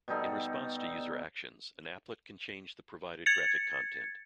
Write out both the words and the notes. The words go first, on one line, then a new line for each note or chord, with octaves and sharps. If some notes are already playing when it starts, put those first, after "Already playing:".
In response to user actions, an applet can change the provided graphic content.
B2 G3 D#4 A4
G#6 A6 C#7